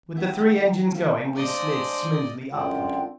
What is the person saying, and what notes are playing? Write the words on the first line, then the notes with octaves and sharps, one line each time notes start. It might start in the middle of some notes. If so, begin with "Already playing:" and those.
With the three engines going, we slid smoothly upward.
D#3 B3 E4
F3 A3 A#3
G#3 D4 C5 D5 D#5
F#2 D3 G#3 C4 F4 F#5 G5